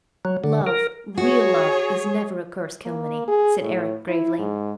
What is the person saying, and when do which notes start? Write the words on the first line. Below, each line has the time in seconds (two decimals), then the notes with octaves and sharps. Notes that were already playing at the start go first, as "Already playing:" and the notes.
"Love--real love--is never a curse, Kilmeny," said Eric gravely.
0.25 F#3
0.44 D3
0.67 A#4
1.18 F#4 G#4 C#5
2.85 A#3
3.28 G#4
3.61 A2
4.08 E4
4.39 G#2